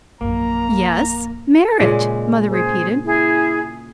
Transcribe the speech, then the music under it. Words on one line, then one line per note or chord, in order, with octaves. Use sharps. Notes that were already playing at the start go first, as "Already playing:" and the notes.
"Yes, marriage!" mother repeated.
A#1 F#2 A#3 A#5
A#2 C#3 G#3
G#4 C5
E4 G#4